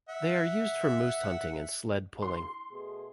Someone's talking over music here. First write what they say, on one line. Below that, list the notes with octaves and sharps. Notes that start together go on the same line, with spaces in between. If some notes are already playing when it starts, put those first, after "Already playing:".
They are used for moose hunting and sled pulling.
E5 F#5
C6
B2 A3 G#4